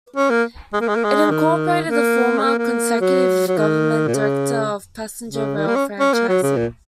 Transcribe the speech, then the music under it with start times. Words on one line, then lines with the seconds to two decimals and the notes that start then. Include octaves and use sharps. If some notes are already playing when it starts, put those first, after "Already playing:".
It incorporated the former Conservative government's Director of Passenger Rail Franchising.
0.16 C#4
0.30 A#3
0.73 G#3
0.81 A#3
0.88 G#3
0.96 A#3
1.04 G#3
1.30 D#3
1.87 A#3
2.38 G#3
2.44 A#3
2.58 A#3
3.01 F#3
3.48 F#3
3.57 D#3
4.07 A#2
4.15 C#3
5.29 C#3
5.57 D#3
5.67 A#3
5.76 C#4
6.00 C#4
6.13 A#3
6.28 F#3
6.43 C#3
6.57 A#2